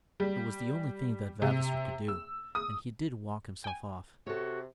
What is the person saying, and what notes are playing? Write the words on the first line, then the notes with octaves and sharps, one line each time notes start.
It was the only thing that Vavasor could do, and he did walk himself off.
G3
C3
E6
D#6
G5 G#5
C3 F#4 A4 C#5